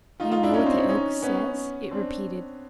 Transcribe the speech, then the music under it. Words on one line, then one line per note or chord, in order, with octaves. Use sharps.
"Do you know what the oak says?" it repeated.
D#4 F4
D#4 F4
D4 E4
C#4 D#4
C4 D4
C#4 D#4
C#4 D#4
B3 C#4
C4 D4